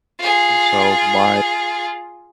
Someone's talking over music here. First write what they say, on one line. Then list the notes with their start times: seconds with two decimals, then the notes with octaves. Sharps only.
and so my
0.20 F4 G#4